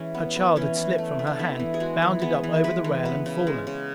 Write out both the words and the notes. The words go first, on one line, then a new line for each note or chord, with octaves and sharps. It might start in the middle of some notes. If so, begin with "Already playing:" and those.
Her child had slipped from her hand; bounded up over the rail and fallen.
Already playing: E3 G#3 C#4
B3
B3
E3 C#4
E3
A3
A3
D4
B3 E4
E3
G#4
G#3 F#4
E3
B3 G#4
E3
G#3 B4
E3
B3 B4
C#3
G#3
C#3